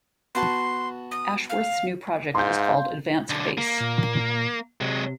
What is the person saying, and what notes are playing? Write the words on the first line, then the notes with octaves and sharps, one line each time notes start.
Ashworth's new project is called Advance Base.
B3 F#4 A5 C6
D#6
F5
G#2 F5 C6 G6
B1 D3
A#3
A#2
C3 F#3 G#3